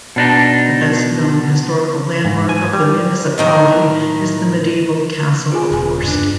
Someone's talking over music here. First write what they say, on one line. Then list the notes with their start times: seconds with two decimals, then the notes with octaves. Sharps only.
The best known historical landmark of the municipality is the medieval castle of Horst.
0.16 B2 D4 D#4
2.25 G#2
2.49 G#5
2.73 G3
3.38 A2 D#3 A#4
5.52 F4 G#4 G#5
5.72 E1 G#4 G#5
6.03 G2 D4